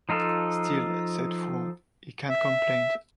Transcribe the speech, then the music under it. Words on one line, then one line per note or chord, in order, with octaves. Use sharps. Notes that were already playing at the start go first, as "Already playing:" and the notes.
Still, said Fouan, he can’t complaint.
F3 D#4 F4 A4
E5